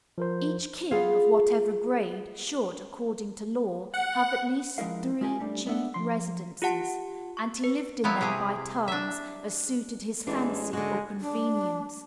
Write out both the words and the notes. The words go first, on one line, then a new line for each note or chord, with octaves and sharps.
Each king, of whatever grade, should, according to law, have at least three chief residences; and he lived in them by turns, as suited his fancy or convenience.
F3 A#4 C5
B3 F4 G#4 A4 F5
F#5
F3 G#3 E4 A#4 F5
G#3 F4 G4 A#4 G#5
G3 A3 D4
G#3 B3 D4 E5 F#5
F3 C6
F4 G4 F#5 A5
C#6
B4
F3 F#3 B3 E4
C3 G4 G#4
D4 E5
A1 E3 G#3 D4
D3 G#3 F#4
D4